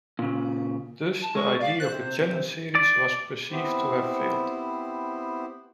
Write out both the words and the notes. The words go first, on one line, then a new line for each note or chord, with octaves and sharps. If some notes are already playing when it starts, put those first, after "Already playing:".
Thus the idea of a Challenge Series was perceived to have failed.
A#2 C#3
A5
G#3 C#6
D5 F5
C5 F#6
C3
D5
B3 C4 E4 G4 C5